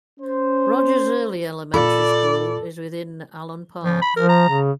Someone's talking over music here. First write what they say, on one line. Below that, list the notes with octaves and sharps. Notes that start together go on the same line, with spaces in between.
Rogers Early Elementary School is within Allen Park.
C#4 C5
A#2 F4 A4 D5 B5
F3
B5
F3 A#4
A#5
C#3